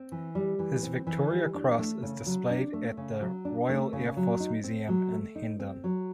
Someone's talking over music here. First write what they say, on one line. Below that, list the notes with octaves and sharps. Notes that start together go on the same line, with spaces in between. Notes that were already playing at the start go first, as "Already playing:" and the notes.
His Victoria Cross is displayed at the Royal Air Force Museum in Hendon.
Already playing: C4
E3
G3
E3
C4
E3
G3
D4
A3
C#3
F#3
D4
A3
C#3
F#3
D4
A3
C#3
F#3
D#4
C4
F#3
A3
D#4
C4
F#3